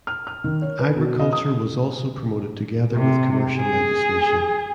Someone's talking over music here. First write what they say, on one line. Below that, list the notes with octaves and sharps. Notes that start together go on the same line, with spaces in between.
Agriculture was also promoted together with commercial legislation.
F6
F6
D#3
C#5
B4
B2
D#5
D#6
C3
G#4